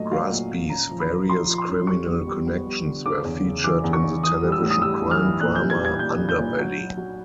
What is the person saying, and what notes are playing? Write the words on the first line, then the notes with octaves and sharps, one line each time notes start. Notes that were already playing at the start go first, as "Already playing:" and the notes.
Grassby's various criminal connections were featured in the television crime drama "Underbelly".
Already playing: A#2 F#3 A3 D#5
F#3 F5
A#2
A#2
C#4 A#5
F3
B5
F3
F3 C6
F3
C6
C#4
G3 C#6
B3
G3
B3
G3
D3
C#3 D6
E2
C#3
E3 D6
E2
C#6
E2
E3 D#6
G3
E6
A2
D#6
G3 E6
E3
F6
E3
A#2 F#6
G3 G6
G#6
G3 G#6
A#2 G6
G3
G6
A#2
F#3
F#3
F#3